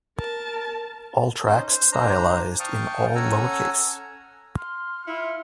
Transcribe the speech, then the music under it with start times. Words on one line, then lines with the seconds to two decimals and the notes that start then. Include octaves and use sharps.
All tracks stylized in all lowercase.
0.18 A#4 A5
1.47 C#4 D#4 C5 D#5
1.69 C5
1.92 D4 C5 A#5
2.60 F5 G5 A5 C#6 D#6 F6
3.15 C#4 A4 F#5 G#5 A#5 E6
4.57 C6 F6
5.07 E4 F4 C#7